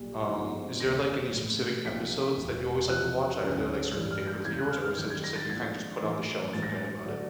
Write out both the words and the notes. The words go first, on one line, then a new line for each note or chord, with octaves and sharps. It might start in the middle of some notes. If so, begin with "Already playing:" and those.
Um, is there, like, any specific episodes that you always like to watch, like, are there, like, certain favorites of yours, or is it just, like, you kinda just put on the show and forget about it?
Already playing: B1 A#2 G3
G1 G2 D3 F3
F1 D#2 D3 A#6
A1 A2 E3 A3
C2 C3 F3 A#3 D#4 B6
E1 E2 B2
E2 C3 F3 F#6
D2 C#3 F#3 A3 C#4
A1 G2 E3 G#3
F6
G6
G6
E2 C#3 E3 G#3 C4 G#6
F#6
F6
F6
F#2 D#3 G3 G6
G#6
A#6
A6
G#1 G#2 F3 A#3 D4 G#6
A2 E3 A3
A1 G#2 E3 A6
A#6
A6
D3 F#3 A3 D4